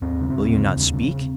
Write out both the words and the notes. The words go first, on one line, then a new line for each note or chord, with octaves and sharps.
Will you not speak?
D#2 C4
C#3
C4
D#2
C#3
D#2
C#3